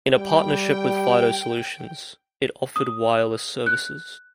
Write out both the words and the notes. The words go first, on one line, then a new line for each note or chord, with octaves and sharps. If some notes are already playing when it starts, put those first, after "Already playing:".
In a partnership with Fido Solutions, it offered wireless services.
G3 G5
D#6
F#6